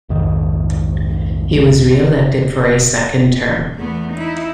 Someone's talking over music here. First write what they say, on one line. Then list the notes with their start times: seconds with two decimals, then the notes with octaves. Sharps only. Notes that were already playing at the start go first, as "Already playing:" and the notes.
He was reelected for a second term.
0.09 B1 F2 G#2 D#3
3.75 E2 A3 B3
4.12 D#4 E4